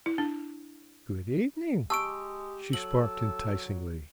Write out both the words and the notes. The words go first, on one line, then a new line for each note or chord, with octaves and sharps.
"Good evening," she sparked enticingly.
E4
D4
G#3 G4 A5 C#6 E6 D7
F#3 A4 F#7